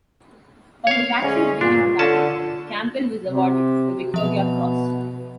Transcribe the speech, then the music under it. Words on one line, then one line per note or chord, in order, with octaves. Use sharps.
For his actions during the battle, Campbell was awarded the Victoria Cross.
C#5 F5
D2 G#3 C#4
G2 A#2 D4 F4
D3 C#4 A5
C3
B2 F3 E5 F7